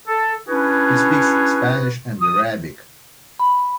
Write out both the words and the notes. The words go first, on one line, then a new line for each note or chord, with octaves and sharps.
He speaks Spanish and Arabic.
A4
C#4 D4 E4 F#4 G#4 B4
D#6
B5